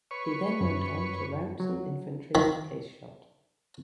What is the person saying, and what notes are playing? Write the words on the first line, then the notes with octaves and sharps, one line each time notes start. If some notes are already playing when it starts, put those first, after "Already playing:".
He then went on to rout some infantry with case shot.
B4 C#5 C#6
F#2
F#3
D#3 B5